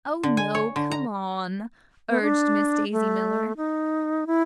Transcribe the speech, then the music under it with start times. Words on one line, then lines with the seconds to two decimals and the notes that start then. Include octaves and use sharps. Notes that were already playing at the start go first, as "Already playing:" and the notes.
"Oh, no; come on!" urged Miss Daisy Miller.
0.23 D3
0.37 G#5
0.55 C#5
0.76 D3
0.91 A#5
2.09 B3
2.22 D4
2.92 A3
3.57 D#4
4.27 E4